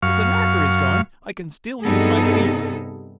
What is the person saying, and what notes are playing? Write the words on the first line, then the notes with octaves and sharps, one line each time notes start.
"If the knocker is gone, I can still use my feet."
F#2 F5 C#6
G2 C3 B3 D#4 G#4 A4